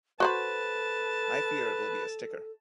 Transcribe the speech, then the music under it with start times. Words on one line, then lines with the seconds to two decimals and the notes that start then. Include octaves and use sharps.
I fear it will be a sticker.
0.20 F#4 A4 B4 C5 A5 B5